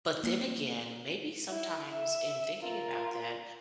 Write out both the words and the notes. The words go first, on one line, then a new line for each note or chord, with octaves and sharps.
but then again, maybe sometimes in thinking about that,
A#3
E4
E5
F4 A#4